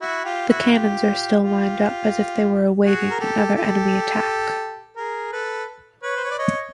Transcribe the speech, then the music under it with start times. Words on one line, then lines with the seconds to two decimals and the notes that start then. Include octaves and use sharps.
The cannons are still lined up, as if they were awaiting another enemy attack.
0.01 E4 F#4
0.25 F4 G4
0.48 E4 F#4
0.72 F4 G4
1.43 F4 G4
2.84 F#4 G#4
3.11 A#4
3.20 G4 A4
3.55 G4 A4
4.97 G#4 A#4
5.32 A4 B4
6.03 B4 C#5
6.17 C5
6.24 C#5
6.31 D5
6.39 C#5 D#5